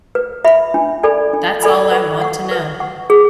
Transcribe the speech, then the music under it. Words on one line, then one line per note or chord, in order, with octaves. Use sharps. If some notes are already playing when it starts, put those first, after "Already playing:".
That's all I want to know.
B4
E5 B5
D4
A4 D5 G#5 B5
D4
A4 D5 G#5 B5
B4
F#5 C#6
B4
F#5 C#6
G#4